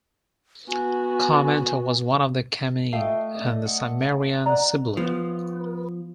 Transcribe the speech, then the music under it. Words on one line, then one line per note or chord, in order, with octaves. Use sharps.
Carmenta was one of the Camenae, and the Cimmerian Sibyl.
B3 F#4 G#5
A3 F4 D#5 F5 G5
D5 D#5
F#5
C#4 D5 D#5 F#5 A#5
F3 B3